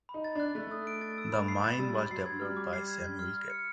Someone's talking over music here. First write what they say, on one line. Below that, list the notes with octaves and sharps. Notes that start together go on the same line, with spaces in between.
The mine was developed by Samuel Gebo.
B5
D#4
A6
D4 F#6
A3 F#6
D#6
D7
A6
E6
B5
C7
A6
G3 E6
C6
F#3 C7
G#6
G3 F6
D6
C7
G#6
G#6
F6
F6
C#7